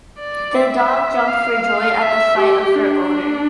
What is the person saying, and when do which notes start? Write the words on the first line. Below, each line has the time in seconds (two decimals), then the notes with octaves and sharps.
The dog jumped for joy at the sight of her owner.
0.19 D5
0.55 E5
1.28 F5
2.02 E5
2.38 G4
2.75 D4